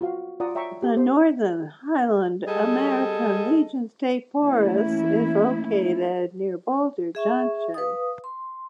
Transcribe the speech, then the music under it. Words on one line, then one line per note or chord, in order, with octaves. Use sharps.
The Northern Highland-American Legion State Forest is located near Boulder Junction.
F4 F#4 F5
F4 D5 F#5 A#5 D#6
C#5 E5 G5 A#5 C#6
G4 A4
C5
G3 G#4 A4 D#5
E3 A3 A#3 C#4 E4
G#4 E5 C#6
B4 F5 D#6
C6